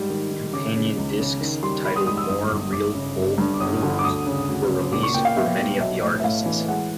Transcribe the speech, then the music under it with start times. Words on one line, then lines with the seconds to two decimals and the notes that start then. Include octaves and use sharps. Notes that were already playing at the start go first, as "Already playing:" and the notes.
Companion discs, titled More Real Folk Blues, were released for many of the artists.
Already playing: G#2 G3
0.10 D#3
0.31 D#3
0.53 C#3 D6
0.76 C#3
0.98 C#2
1.19 C#3
1.41 D#3
1.63 G3 C6
1.85 G3 B5
1.96 D#6
2.07 G#2 D#6
2.17 E6
2.29 G1 D#6
2.51 G1
2.72 G1 D6
2.95 C#3
3.16 G1
3.38 G2
3.54 D6
3.60 G1 D#6
3.83 D3
3.99 D6
4.04 D2 D#6
4.27 C#3
4.49 D2
4.70 C#3
4.92 A#2 D6
5.03 C#6
5.14 A#2 G5
5.25 F5
5.36 B3 E5
5.59 B3
5.80 B1 E5
6.03 A2
6.20 E5
6.24 A2 F5
6.46 E3
6.68 G#3 F#5